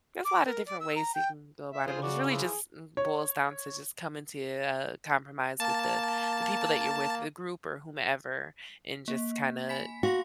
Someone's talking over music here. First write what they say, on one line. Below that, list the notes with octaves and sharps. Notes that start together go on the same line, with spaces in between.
there's a lot of different ways that you can go about it, but it's really just it boils down to just coming to a compromise with the the people that you're with, the group or whomever, and just kinda
D6
A#4
D5
E6
A#5
G5
E5
C#3 F4 G#4 C5
F#4 D5
E3 F3
G#4
C#5
A#3 A5
A#3
G#5 B5 B6
F#4 F5 C6 A#6